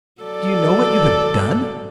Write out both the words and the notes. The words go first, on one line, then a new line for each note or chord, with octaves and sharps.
Do you know what you have done?
F#3 A4 D5